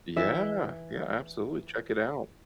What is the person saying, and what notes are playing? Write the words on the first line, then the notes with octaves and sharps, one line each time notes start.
Yeah, yeah, absolutely, check it out.
E3 E5